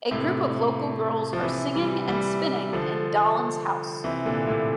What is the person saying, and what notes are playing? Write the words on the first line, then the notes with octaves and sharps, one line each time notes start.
A group of local girls are singing and spinning in Daland's house.
A2 C3
F3
C3 E3
E3 G3
E3 G3
D3 F3
C3 E3
A#2 D3
A2 C3